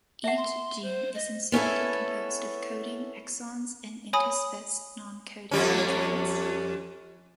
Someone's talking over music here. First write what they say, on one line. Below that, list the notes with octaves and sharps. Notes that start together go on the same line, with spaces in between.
Each gene is instead composed of coding exons and interspersed non-coding introns.
E5 F#5 A5
C6
C5
D#5
B3 C#4 E4 A4
C#5 G#5 B5 D#6
F2 G3 C#4